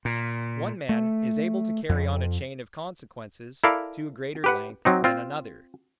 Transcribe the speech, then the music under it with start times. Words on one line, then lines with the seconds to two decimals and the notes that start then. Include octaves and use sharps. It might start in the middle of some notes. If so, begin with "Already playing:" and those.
One man is able to carry on a chain of consequences to a greater length than another.
0.05 A#2
0.89 A3
1.89 F2
3.64 E4 A4 A#4 D5 F5
4.44 G4 B4 F#5
4.85 F#3 C4 D#4
5.04 C4 F4